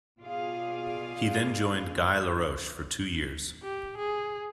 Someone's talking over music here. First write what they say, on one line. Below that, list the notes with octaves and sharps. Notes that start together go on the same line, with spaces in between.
He then joined Guy Laroche for two years.
B2 F4 G#4 D5 F5
G4
G#4